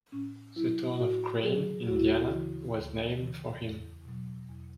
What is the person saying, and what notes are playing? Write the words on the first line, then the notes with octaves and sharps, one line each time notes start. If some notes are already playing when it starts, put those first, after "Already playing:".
The town of Crane, Indiana was named for him.
A2 C#4
F#3 E4
A2 F#4
F#3 G#4
D2 F#4
E4
F#4
C#3 E3
D2
C#3 E3
E2
B2 F#3
E2